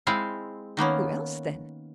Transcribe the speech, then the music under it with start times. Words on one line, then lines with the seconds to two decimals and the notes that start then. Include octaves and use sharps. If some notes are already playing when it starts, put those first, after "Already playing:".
"Who else, then?"
0.07 G#3 C4 E4 F5
0.77 D#3 A#3 B3 C#4